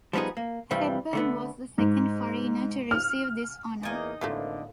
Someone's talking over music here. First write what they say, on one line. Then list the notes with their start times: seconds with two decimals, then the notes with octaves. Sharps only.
Hepburn was the second foreigner to receive this honor.
0.13 F3 G3 B3 D#4 G#4
0.37 A#3
0.71 G2 C3 E3 F3 G3
1.13 D3 A3 B3
1.78 G#2
2.91 F6
3.83 E2 A#3 D#4 D5 D#5 G#5
4.21 G#1 A2 D3 E3 F3 A3 A#3 F4